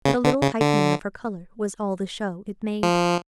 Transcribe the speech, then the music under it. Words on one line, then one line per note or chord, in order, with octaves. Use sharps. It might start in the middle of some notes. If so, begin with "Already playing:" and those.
But a little heightening of her color was all the show it made.
C#3
D3
C#3
D3
F3